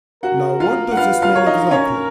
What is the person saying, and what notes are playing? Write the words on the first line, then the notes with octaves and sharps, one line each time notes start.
Now what does this mean exactly?
F#4 A#4 F#5
F4 F5
F#5
F4 B4 F5
F4 F5
A#4 C#5
D#4 D#5
C#4 C#5